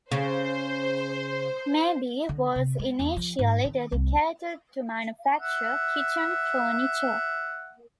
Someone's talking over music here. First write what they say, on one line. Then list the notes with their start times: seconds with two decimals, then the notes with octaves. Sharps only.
Mabe was initially dedicated to manufacture kitchen furniture.
0.12 C#3 C5
2.29 D3
2.56 C3
2.79 G#3
2.99 E2
3.16 F3
3.39 G#2
3.65 D#3
3.92 C2
5.38 E5 F#5